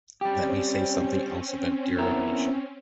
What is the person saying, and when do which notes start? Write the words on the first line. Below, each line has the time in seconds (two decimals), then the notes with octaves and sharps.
Let me say something else about derivation.
0.21 G3 C4 C#4 G4
1.98 B3 E4 A#4